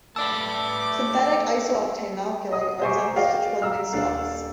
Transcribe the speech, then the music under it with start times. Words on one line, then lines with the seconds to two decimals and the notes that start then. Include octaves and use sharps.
Synthetic iso-octane and alkylate are examples of such blending stocks.
0.16 A3 B4 D5 A5 D6 E6
2.51 D#5 D#6
2.82 C5 E5 G#5 A#5 C#6 D6
3.16 F#4 G#4 D5 D#5 F5 G5
3.62 F5 A#5 E6 F6
3.93 D#1 D4 A4 F5